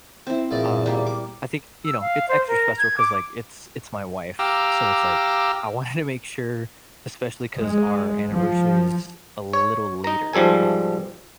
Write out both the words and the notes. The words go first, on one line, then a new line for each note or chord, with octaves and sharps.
uh, I think, you know, it's extra special 'cause, like, it's it's my wife, so it's like, I wanted to make sure especially 'cause our anniversary is a little later, uh,
C4 E4
E2 A#2 D5
G3 A#3
D6
E6
F5
C5
A#4
G#6
D6
G4 F5 A#5 D6 E6
G#3
F3
C#5
D#4 A#5
G#2 F3 G3 A4 G#5